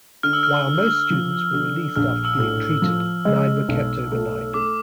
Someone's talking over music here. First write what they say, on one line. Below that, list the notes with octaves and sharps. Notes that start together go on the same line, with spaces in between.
While most students were released after being treated, nine were kept overnight.
D3 F6
E6
F6
D3
F3
D3
A#1 F6
E6
A2
F3
G#3
B1
A3
A3 D6